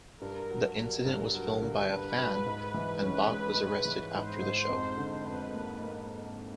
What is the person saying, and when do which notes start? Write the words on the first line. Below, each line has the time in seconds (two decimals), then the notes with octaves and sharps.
The incident was filmed by a fan and Bach was arrested after the show.
0.21 G2 A#4
0.50 F#3
0.78 F#3 A#4
1.05 G2
1.34 F#3
1.62 D3
1.90 G2 B4
2.18 F#3
2.46 G#2
2.74 E3
3.01 C#4 B4
3.30 G#3
3.58 G#3
3.85 E3
4.14 G#2 C5
4.42 G#2
4.69 F2
4.97 D3
5.25 F2 B4
5.54 A#3
5.82 A#3